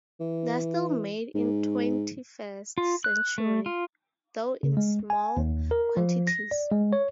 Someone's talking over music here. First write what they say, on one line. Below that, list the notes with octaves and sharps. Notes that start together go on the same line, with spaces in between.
They are still made in the twenty-first century, though in small quantities.
E3
G#2
F4
F#6
A3
F4
C#3
G#3
G#5
D#2
A#4
F3
A#6
D5
G#3
C#5